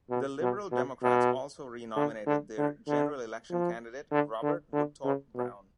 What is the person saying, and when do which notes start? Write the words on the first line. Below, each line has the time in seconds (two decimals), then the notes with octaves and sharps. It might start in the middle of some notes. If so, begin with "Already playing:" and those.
The Liberal Democrats also renominated their general election candidate, Robert Woodthorpe Browne.
0.10 B2
0.41 B2
0.72 B2
1.02 B2
1.96 D3
2.26 D3
2.57 D3
2.87 D3
3.50 F3
4.11 D3
4.42 D3
4.73 D3
5.04 C#3
5.35 B2